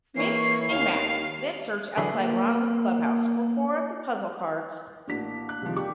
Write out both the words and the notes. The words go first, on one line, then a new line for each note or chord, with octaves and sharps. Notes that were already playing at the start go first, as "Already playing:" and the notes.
Mick and Mack then search outside Ronald's clubhouse for four of the puzzle cards.
E3 A#3 C#5 C7
D#2 F5
D3 E3 F#3 G#4 B4
A#3
A1 A#3 D4 F#4 B6
F#6
C3 D#3 F3 G3 G#3
G4 C#6